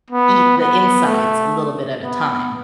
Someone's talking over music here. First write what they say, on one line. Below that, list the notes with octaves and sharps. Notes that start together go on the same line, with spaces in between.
eat the insides a little bit at a time
B3
B3
A3
B3